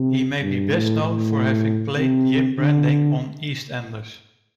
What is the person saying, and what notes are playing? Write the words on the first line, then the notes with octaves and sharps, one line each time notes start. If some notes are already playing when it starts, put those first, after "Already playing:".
He may be best known for having played Jim Branning on "EastEnders".
Already playing: C3
G2
A2
A2
C3
D3